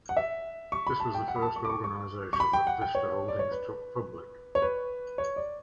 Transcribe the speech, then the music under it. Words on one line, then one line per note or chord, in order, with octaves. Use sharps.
This was the first organization that Vista Holdings took public.
F#5
E5
C#6
B5
A5
G5
F#5
B5
A5
C#6
D6
C#6
C#6
C#6
B5
G5
F#5
G5
C#5
D5
C#5
B4
C#5
B4
C#5
D5